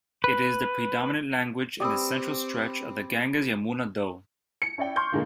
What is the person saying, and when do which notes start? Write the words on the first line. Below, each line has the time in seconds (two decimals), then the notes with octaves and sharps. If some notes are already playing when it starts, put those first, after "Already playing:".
It is the predominant language in the central stretch of the Ganges-Yamuna Doab.
0.24 B4
1.80 C4 G4 B4 D5 D#6 E6
4.62 C#7
4.78 C#4 E4 D5 G5
4.96 C6 C#6 F6 G6
5.12 A#2 D3 G#3 A#3